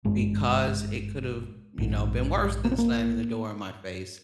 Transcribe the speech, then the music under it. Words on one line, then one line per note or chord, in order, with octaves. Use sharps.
because it could've, you now, been worse than slamming the door in my face.
G#1 G2 G#3
A#1 G#2
A#3
C4
A#3